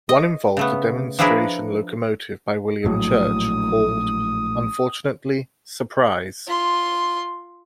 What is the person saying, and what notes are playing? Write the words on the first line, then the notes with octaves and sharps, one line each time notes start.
One involved a demonstration locomotive by William Church, called, unfortunately "Surprise".
D#5
C#3 A3 B3
F3 D4 E4 G#4 A#4 B4
A#1 A2 F#3 D#6
F4 C6